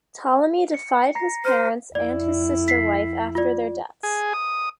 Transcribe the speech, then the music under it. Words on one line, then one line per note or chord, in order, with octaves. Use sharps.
Ptolemy deified his parents and his sister-wife after their deaths.
C#7
A#5 A#6 C7
C5 F6 D#7
F2 E4 D5
B6 C7
F4 D5
G#4
D#6